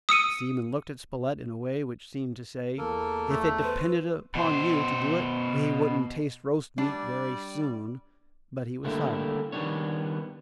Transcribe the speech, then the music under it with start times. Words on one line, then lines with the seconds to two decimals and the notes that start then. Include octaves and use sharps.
The seaman looked at Spilett in a way which seemed to say, "If it depended upon you to do it, we wouldn't taste roast meat very soon"; but he was silent.
0.09 D#6 E6 C#7 D#7
2.78 E2 A#3 A4 A#4
3.31 A3
3.63 B4 C5
4.35 B2 C5
6.78 G3 D4 D5
8.84 D3 G3 A3 A#3 D4 E4
9.52 D#3 G3 B3 D4 C#5